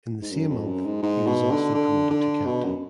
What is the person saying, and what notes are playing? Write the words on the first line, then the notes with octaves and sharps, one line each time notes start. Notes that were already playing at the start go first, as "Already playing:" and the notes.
In the same month he was also promoted to captain.
G#2
F#2
F2
F#2
G#2
G#2
B2
D3
D3
D3
B2
F#2